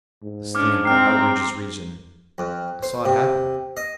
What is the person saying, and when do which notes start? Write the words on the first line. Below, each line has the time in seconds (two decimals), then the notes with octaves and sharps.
This thing, that outrages reason--I saw it happen.
0.23 G#2
0.55 C#4 D4 D6 F6
0.85 C4 G5 A#5 F6 C7
2.38 F2
2.83 C5
3.05 C3
3.77 D#5